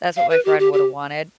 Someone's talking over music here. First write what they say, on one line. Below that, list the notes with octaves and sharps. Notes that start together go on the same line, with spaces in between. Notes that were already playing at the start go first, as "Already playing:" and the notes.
that's what my friend woulda wanted.
F5
B4
G4
G4
G4